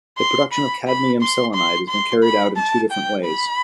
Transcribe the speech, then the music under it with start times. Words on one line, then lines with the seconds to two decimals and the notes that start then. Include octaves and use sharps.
The production of cadmium selenide has been carried out in two different ways.
0.18 C6
0.52 B5
0.87 B5
1.21 C6
1.54 C6
1.89 C6
2.23 B5
2.57 A5
2.91 G5
3.24 B5